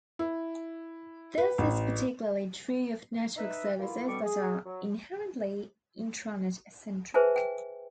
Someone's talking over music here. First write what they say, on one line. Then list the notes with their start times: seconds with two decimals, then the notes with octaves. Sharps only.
This is particularly true of network services that are inherently intranet-centric.
0.19 E4
1.38 B4
1.58 A1
3.37 D#4 B4 E5
3.79 B2 A#3 E4 F4
4.07 B2 D3 G3 C4 C#6 D6
4.23 G#4
4.65 F#3
7.14 G#4 B4 C5 E5 G#5 A5
7.36 G5